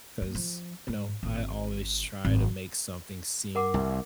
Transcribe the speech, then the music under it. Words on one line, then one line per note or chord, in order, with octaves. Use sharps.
'cause, you know, I always try to make something seem
A#3
F3
G#2
G#1
G#1
A#4 F#5 D6
C2